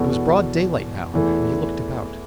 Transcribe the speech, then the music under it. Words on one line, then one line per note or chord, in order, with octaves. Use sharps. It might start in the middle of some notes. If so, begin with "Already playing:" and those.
It was broad daylight now, and he looked about.
Already playing: E2 B2 B3 F#4 A4
E2 E3 A3